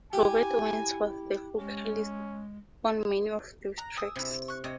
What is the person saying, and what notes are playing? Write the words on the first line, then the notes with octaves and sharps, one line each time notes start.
Robert Owens was the vocalist on many of those tracks.
E4 G4 G#5
G#3 C#4
A#5 F#6
G#5 D#6 E6
C3 E4
C#6 F#6
C3 C#5 D#5